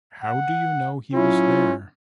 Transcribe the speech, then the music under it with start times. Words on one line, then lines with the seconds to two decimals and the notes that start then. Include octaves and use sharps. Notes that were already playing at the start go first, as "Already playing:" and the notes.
How do you know he was there?
0.23 F#5
1.13 F#3 C#4 E4 F4